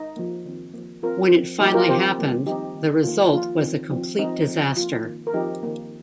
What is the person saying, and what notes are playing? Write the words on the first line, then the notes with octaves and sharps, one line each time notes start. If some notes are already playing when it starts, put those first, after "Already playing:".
When it finally happened, the result was a complete disaster.
Already playing: D#4
F3 A#3
D#3 C4
F3 A#3
F3 C4 F4 A#4
F3 C4
F3 A#3 D#4 G4
F4 A#4
F3 C4 G4 C5
D#3 G3 A#3
F3 C4 D#4 G4
D#3 A#3
D#3 A#3 F4
F3 A#3 F4
D#3 C4
F3 C4
F3 C4 D#4
F3 C4
F3 A#3 F4
D#3 A#3
A#4
F3 C4 D#4 G4
D#3 A#3